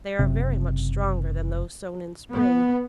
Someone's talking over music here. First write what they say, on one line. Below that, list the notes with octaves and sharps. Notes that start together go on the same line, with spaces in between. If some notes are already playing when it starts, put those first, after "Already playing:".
They are very much stronger than those sown in spring.
F#1 C3
B3